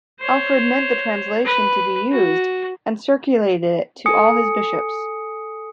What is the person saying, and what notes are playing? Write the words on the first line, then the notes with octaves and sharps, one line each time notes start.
Alfred meant the translation to be used, and circulated it to all his bishops.
C5 C#5
B4
F#4
A4 G#5 D#6 C#7